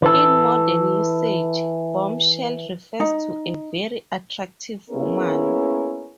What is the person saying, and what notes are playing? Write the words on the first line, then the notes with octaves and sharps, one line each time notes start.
In modern usage, bombshell refers to a very attractive woman.
E3 A4
D#4
A#3 B3 C#4 E4 G#4 A#4